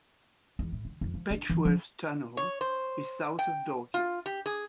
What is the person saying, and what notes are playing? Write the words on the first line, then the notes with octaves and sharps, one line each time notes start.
Betchworth Tunnel is south of Dorking.
E2
A2
D3
F2
F3
D4
E3
F3
C#5
C5
G5
F4
G4
G#4